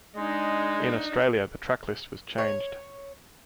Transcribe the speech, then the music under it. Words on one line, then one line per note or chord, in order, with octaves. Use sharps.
In Australia, the track list was changed.
G#3 D4 D#4
C#5